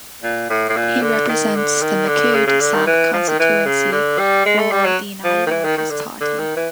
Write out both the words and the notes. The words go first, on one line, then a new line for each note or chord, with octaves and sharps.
He represents the Micoud South constituency for the United Workers' Party.
A#2
A2
A2
A#2
D3
D#3
D3
D#3
D3
C#3
C#3
D3
D#3
E3
F3
D#3
E3
C#3
D3
G3
G#3
A3
G3
F#3
F3
D#3
E3
D#3
D#3
D3
D3
D#3
E3